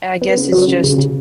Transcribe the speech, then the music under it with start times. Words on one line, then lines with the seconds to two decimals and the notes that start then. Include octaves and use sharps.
I guess it's just
0.22 B3
0.37 C#3
0.52 F#3
0.68 C#3
0.84 C#3
0.98 C#3